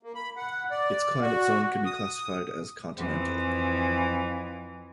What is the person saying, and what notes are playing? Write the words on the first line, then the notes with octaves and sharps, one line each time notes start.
Its climate zone can be classified as continental.
A#3
B5
F#5
D5
F#4
D#6
F2 E3